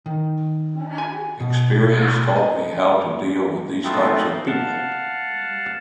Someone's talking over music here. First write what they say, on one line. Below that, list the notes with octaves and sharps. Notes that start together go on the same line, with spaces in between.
Experience taught me how to deal with these types of people.
D#3
G#5
B2
D#5
A3 B3 C4 D#4 F4 A4
F5 F#5 A5